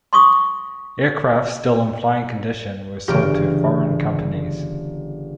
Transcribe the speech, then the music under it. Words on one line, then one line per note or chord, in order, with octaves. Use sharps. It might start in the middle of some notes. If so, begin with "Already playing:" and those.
Aircraft still in flying condition were sold to foreign companies.
C6 C#6 D#6
G1 C#3 E3 G4 A#4 D7